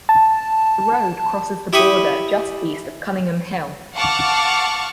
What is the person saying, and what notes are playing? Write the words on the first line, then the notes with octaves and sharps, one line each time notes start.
The road crosses the border just east of Cunningham Hill.
A5
E4 G4 B5 C#6 D#6
F5 F#5 A5 C#6 D6 F6